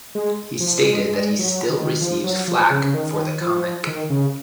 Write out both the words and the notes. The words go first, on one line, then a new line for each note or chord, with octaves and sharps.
He stated that he still receives flak for the comic.
G#3
F3
G#3
G#3
F#3
D#3
F3
F#3
F3
C#3
C#3
D#3
F3
D#3
C#3